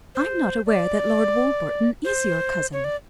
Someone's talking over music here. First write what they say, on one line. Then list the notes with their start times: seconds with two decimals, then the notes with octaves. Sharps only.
"I'm not aware that Lord Warburton is your cousin."
0.15 C5
0.66 D5
2.04 C5
2.73 C#5
2.84 D5